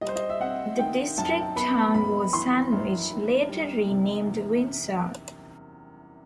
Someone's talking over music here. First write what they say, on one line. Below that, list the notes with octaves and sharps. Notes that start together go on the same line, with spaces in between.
The district town was "Sandwich", later renamed Windsor.
G3 D#5
C5
D#5
E5
C4 F#5
D#3 G5
F#2 A5
B3 B5
F#2 B5
E3 C6
F#2
D#3
G3
C3
E2